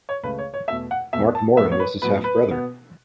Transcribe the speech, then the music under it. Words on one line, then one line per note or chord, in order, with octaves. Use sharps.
Mark Moran was his half-brother.
C#5
C#2 C#3 A3 B4
C#5
C#5
E2 B2 A3 E5
F#5
E2 B2 A3 E5
A5
A2 F#3 B3 E5
C#5
B4
A2 F#3 B3 B4
B4
B2 B3